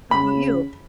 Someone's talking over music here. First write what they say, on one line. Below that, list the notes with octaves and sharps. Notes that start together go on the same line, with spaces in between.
How 'bout you?
C#3 B5